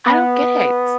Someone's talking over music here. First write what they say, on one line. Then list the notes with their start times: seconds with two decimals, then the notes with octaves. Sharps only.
I don't get it.
0.06 B3